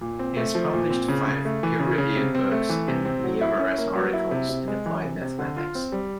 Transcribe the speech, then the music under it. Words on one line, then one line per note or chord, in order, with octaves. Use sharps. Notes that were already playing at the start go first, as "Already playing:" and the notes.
He has published five peer-reviewed books and numerous articles in applied mathematics.
A#2
C4
A3
F3
A#2
C4
C#3
C#3
A3
E3
C#3
C#3
C3
C4
A3
E3
C3
C4
F#3
E4
C#4
A#3
F#3
E4
C3
C3
G#3
E3
C3
C3
D3
F4
C4
G3